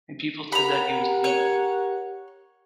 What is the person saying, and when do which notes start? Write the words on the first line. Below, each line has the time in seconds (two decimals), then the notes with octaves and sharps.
And people said that he was weak.
0.52 G4 A#4 F#5 A#5 B5
1.24 C#5